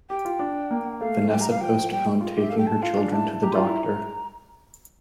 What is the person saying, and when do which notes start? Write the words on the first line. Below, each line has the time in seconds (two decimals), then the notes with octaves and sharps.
Vanessa postponed taking her children to the doctor.
0.09 G4 G5
0.25 F4
0.39 D4
0.71 A#3
1.00 A3 F5
1.30 G3 G5
1.41 A#5
1.50 F5
1.61 F3 G5
1.91 G3 G5
2.21 F4
2.37 G4 E5
2.49 A4 F5
2.58 G5
2.67 A5
2.82 F4 F5
2.97 D4
3.12 E4 A5
3.43 G4 A#5
3.52 C6
3.55 F4 A#5
3.67 E4